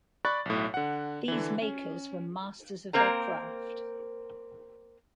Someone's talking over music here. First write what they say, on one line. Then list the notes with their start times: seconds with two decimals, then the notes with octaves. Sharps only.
These makers were masters of their craft.
0.25 D5 B5 C#6 D6 F#6 A6
0.46 B1 A2
0.74 D3 F#5
1.28 D3 E3
1.62 C#4
2.93 A#3 C4 A#4 C5 A#5